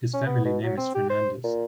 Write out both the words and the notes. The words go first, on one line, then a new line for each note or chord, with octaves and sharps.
His family name is "Fernandes".
C#4
B3
B2
F#3
C4
G4
C5
A#2